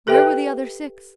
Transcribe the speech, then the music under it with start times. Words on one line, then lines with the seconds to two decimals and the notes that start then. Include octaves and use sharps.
Where were the other six?
0.07 G4 A4 B4 E5 G5